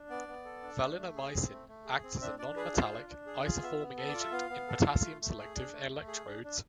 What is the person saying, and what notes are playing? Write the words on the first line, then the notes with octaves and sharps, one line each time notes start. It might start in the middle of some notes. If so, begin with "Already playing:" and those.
Valinomycin acts as a nonmetallic isoforming agent in potassium selective electrodes.
Already playing: D4
B3 D5
B3
A4
D4
A3
A3
G#4
C4
A3
A3
G#4
C4
D4 E5
D4 D5
G#4 B4
F4 C5
D4
D4
G#4
F4
B3 E5
B3
A4
D5
F4
E5
B3 F5
B3
A4
F4
A3
A3
G#4
D4
A3
A3
G#4
D4
D4